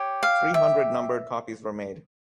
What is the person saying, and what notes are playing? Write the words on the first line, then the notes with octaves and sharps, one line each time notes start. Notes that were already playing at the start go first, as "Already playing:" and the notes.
Three hundred numbered copies were made.
Already playing: G4 C#5
F5
E5